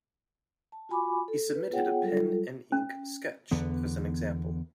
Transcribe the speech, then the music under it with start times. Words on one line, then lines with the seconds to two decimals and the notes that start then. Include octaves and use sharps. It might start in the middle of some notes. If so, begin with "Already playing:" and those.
He submitted a pen-and-ink sketch as an example.
0.72 A5
0.89 F4 F#4 G#5 B5 C#6 D6
1.28 A4
1.55 B4
1.70 B3 F4 G#4 C#5 F#5 G5
2.02 F#3 G3 F4 A4
2.72 C#4
3.51 E2 D3 B3